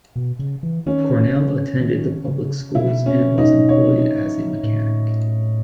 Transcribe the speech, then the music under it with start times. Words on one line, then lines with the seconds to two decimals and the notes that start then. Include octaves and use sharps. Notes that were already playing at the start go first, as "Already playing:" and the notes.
Cornell attended the public schools and was employed as a mechanic.
0.16 B2
0.39 C#3
0.63 E3
0.86 D#3 C#4
1.33 C#3
1.80 D#3
2.28 C#3
2.75 B2 E4
3.06 C#4
3.38 D#4
3.69 C#5
4.63 A2